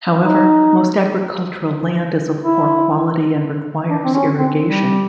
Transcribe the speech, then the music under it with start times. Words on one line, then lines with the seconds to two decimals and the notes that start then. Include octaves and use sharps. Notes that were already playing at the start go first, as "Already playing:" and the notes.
However, most agricultural land is of poor quality and requires irrigation.
0.21 D#4
2.42 E4
3.90 D4
4.05 C4
4.15 C#4
4.39 C4
4.64 G3